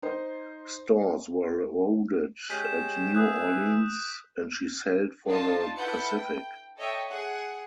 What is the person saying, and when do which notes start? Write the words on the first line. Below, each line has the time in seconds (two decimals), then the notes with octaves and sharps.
Stores were loaded at New Orleans and she sailed for the Pacific.
0.02 D#4 C5
2.50 G#3 C#4 G4 G6 B6
2.65 E7
3.15 G#4 B4 E5 D#6 F#6
5.27 D4 D#4 F4 A5
5.77 E4 A4 B4 F#5 G6 C#7
6.15 G5
6.77 A4 C#5 D#5 E5 G5
7.08 G#4 F#5